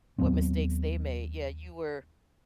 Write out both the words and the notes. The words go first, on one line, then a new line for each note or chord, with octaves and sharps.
what mistakes they made yeah, you were
D#2 F#3 B3 C4